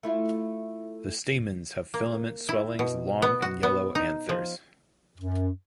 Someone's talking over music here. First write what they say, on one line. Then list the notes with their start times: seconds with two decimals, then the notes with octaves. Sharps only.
The stamens have filament swellings long and yellow anthers.
0.03 A3 E4 F4
1.94 A#3
2.49 E4
2.79 B2
3.22 B3
3.42 F#4
3.63 B3
3.95 D#4
4.29 F3
5.18 F#2